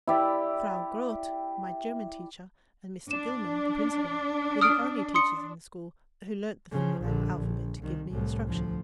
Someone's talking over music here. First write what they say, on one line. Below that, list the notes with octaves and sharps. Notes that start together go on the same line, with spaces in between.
Frau Grote, my German teacher, and Mr. Gilman, the principal, were the only teachers in the school who learned the finger alphabet to give me instruction.
E4 G4 D5
D4 E7
D#6 F6 D7
C6 D#6 C#7
C#3 F3
A#1 D3
A#1
C2 D#3
C2 A2
D2 F3